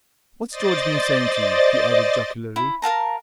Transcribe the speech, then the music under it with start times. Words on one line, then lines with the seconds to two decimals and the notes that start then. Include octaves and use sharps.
What's George been saying to you?' he added jocularly.
0.50 C5 D5 D#5 A6
2.56 E4
2.82 A#4 F5 A5 A#5